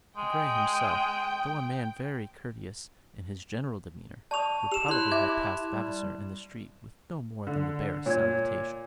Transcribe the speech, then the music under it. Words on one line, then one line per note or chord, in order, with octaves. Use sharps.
Mr. Grey himself, though a man very courteous in his general demeanour, would probably have passed Vavasor in the street with no more than the barest salutation.
G#3 G5
D5 A5 C#6 D#6 F7
G4 E6 E7 F7
E4 C#5 C6 F#6
C#5 E5 D6 G#6
G3
D3
A#2 C#5 G#6